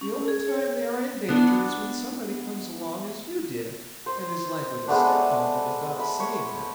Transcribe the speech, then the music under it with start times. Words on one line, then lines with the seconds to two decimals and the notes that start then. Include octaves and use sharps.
The only time they are in danger is when somebody comes along, as you did, and is likely to step on them without seeing them.
0.01 C#4
0.28 G#4
0.48 C#5
1.29 B3 D4
4.06 C5
4.88 G#3 A3 B3 D4
5.99 B5
6.20 C#5